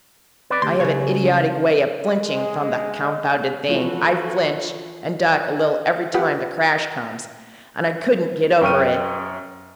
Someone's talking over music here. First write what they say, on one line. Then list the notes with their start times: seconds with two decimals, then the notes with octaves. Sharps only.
I have an idiotic way of flinching from the confounded thing--I flinch and duck a little every time the crash comes, and I couldn't get over it.
0.50 C4 B4 D5
0.62 D2 G4 C6
0.80 C#2 C#3 F#3 C#5
1.22 C#4
2.22 G#3 D#5
3.68 E3 F3 F#4 A4 B4
6.14 F4 G4 B4 F#5
8.61 F#2 G5 C#6 F6 D#7